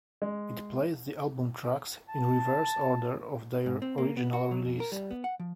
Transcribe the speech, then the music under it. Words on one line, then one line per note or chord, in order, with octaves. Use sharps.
It plays the album tracks in reverse order of their original release.
G#3
A5
G#2
C4
A#3
B3
F#4
F#3
F2
A#4
G3
B3
F#5
F3